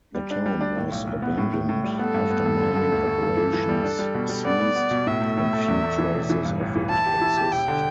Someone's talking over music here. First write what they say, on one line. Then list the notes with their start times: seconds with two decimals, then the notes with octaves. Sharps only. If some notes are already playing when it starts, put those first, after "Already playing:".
The town was abandoned after mining operations ceased, and few traces of it exist.
0.15 G3
0.31 D4
0.46 G3
0.61 D4
0.77 A2
0.92 B1
1.07 B1
1.22 B3
1.38 A2
1.53 A2
1.69 A2
1.84 G3
1.99 B3 A4
2.14 G2
2.30 B3
2.46 G2
2.60 D3
2.76 D3
2.92 D2
3.06 D2
3.23 G2
3.37 E3
3.53 E3
3.69 G3
3.84 D4
3.99 G3
4.15 B2
4.29 G3
4.45 B3 D5
4.60 B3
4.76 B3
4.91 B2
5.07 A2 E5
5.22 A3
5.37 A2
5.53 A3
5.68 E2
5.84 A3
5.98 E3
6.14 E1
6.30 E3
6.45 G2
6.60 A1
6.76 E3
6.90 E4 A5
7.06 G4
7.21 E4
7.37 G4
7.52 E1 G5
7.68 D3